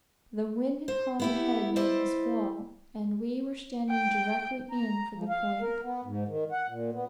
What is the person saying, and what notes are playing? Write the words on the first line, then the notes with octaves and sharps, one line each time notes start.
The wind had hauled ahead during the squall, and we were standing directly in for the point.
C5
B3 E4 G4
E4 C5 D5 D#5
G5
A#5
F3
F5
A#4
B3
G#2
D#3
F#5
A#2
B3